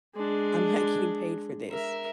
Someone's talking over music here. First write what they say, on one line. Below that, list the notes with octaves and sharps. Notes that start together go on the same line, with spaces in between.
I'm not getting paid for this,
G#3 D4
A#4 E5